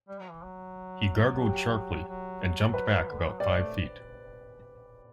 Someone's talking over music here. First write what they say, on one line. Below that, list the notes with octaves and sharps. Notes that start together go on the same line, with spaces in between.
He gargled sharply, and jumped back about five feet.
G3
F#3
E3
F#3
G4
F#3
B4
D3
E3
F#3
G3 D5
A3